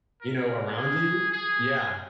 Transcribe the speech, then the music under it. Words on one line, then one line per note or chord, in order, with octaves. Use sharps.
you know, around you Yeah.
A#4
G#4
G#4